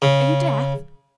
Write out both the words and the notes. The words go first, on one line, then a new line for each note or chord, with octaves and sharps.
"Are you deaf?"
C#3